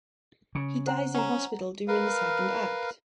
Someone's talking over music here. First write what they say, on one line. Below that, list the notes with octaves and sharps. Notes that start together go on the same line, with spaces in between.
He dies in hospital during the second act.
C#3
C5 F#5 A#5
C#4 F#5 A#5
A#4 B4 F5